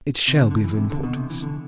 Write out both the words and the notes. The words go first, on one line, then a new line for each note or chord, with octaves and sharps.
"It shall be of importance."
C3
D3
D3
E3
C3
D3
B2
C3
E3
D3